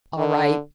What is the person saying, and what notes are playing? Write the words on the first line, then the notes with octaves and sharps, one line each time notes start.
All right.
D3